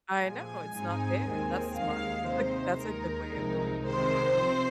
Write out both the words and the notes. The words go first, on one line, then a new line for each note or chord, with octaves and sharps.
I know, it's not there. That's smart. That's a g that's a good way of going through that.
A#2 F3 G#3 G#5
G#2 G#3 C4 D#4
D#2 D#3 G#3 C4
D#2 D#3 G#3 F5
C3 G#3 D#4 C5
D#2 D#3 G#3 D#4 A#4
C2 C3 F3 G#3 D#4
C3 D#3 G#3 C5
C3 F3 C4